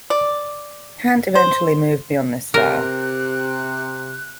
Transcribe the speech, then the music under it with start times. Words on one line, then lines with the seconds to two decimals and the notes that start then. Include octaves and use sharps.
Pant eventually moved beyond this style.
0.10 D5
1.35 C5
2.54 C3 A#4 F#6